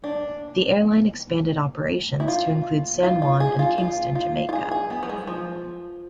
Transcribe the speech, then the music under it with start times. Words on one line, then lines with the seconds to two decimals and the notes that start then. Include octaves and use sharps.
The airline expanded operations to include San Juan and Kingston, Jamaica.
0.04 D4
2.20 E4
2.28 F4
3.03 F4
3.22 F4
3.40 G#4
3.59 F4
3.78 F4
4.15 F4
4.49 F4
4.53 G#4
4.71 G#4
4.90 B3
5.03 F3
5.09 G#3
5.27 F3